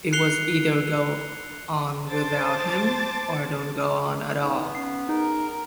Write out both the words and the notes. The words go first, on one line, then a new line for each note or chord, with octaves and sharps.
It was either go on without him, or don't go on at all.
F#6 C7 C#7 F7 G7
C5 A5 D6 A6
B3 D#4
C#4 C7
D#4 G#4 A#4